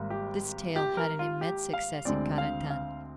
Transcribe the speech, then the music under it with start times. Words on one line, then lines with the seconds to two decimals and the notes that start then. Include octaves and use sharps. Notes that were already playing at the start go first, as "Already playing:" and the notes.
This tale had an immense success in Carentan.
Already playing: G#1 G#2 D#3 G3 A#3
0.10 G4
0.76 G4
0.97 A#4
1.19 F4
1.41 G4
1.73 F5
2.05 D2 D3 G#3 C4 D5
2.38 F5
2.70 F5